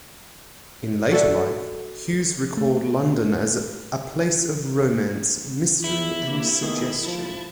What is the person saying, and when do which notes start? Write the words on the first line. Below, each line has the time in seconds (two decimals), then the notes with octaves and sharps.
In later life, Hughes recalled London as "a place of romance, mystery and suggestion".
1.12 F#4 A4 D5 E5
2.57 A3
5.84 E2 E3 E4
6.27 C3 A#3
6.62 D#3 A3 B3 G#4
7.05 F3 A5